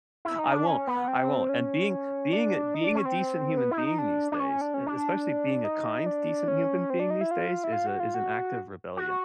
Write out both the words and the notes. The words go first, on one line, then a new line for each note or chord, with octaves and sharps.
I won't. I won't. And being being a being a decent human being these days, e especially being a kind decent human being these days is a is an act of rebellion.
E4
D#4
D4
C#4
B3
C4
C#4
D4
D#4
D4
C#4
C4
B3
E4
D#4
D4
D4
C#4
D4
C#4
D4
D#4
D4
C#4
C4
D4
D#4
E4
F4
E4
F4
F#4
F4
F#4
F#4